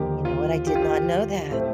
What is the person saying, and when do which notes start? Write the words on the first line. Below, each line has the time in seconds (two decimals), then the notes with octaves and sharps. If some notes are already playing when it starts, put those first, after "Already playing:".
You know what? I did not know that.
Already playing: D#2 D3 F3 A#3 G4
0.25 F4
0.67 G4
0.75 F4
0.82 G4
1.51 A2 A3 C4